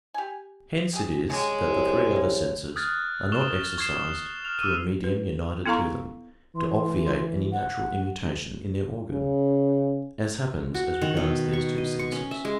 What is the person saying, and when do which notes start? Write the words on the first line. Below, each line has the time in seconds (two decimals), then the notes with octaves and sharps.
Hence it is that the three other senses are not exercised through a medium united to them, to obviate any natural immutation in their organ; as happens as regards these two senses.
0.14 G4 G#5
0.93 G4 G#4
1.30 G#3 C#4 G4 C#5
1.66 C2
2.16 A#3
2.76 D#6 F6 F#6 G#6 A6
3.32 C#6 D#6 E7 F7 G7
3.78 C#6 G#6 C7 E7
4.45 F6 F7
4.59 D6 E6 F6 D#7
5.04 B4
5.66 B3 E4 A4 F5 A#5 C#6
6.56 E3 C6
7.52 F#5
9.10 C#3
10.74 F#4
11.01 D#3
11.17 B2
11.53 C#6
11.78 D#5
11.99 C#6
12.12 C#4
12.31 E5
12.45 G#3